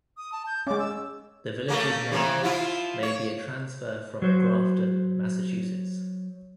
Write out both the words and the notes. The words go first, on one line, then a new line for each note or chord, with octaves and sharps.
The village's name may be a transfer from Grafton, Massachusetts.
D#6
A5
G6
G#3 C#4 D6
E6
A3 A#3 C#4
C3 E3 G3
F3 E4 F4
C#5
F#3 C5